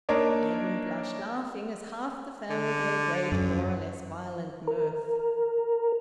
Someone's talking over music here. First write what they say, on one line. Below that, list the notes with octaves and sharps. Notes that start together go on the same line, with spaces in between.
Edwin blushed, laughing, as half the family gave way to more or less violent mirth.
A#3 D4 D#4 A#4 C#5 D5
D3
F#2
A#4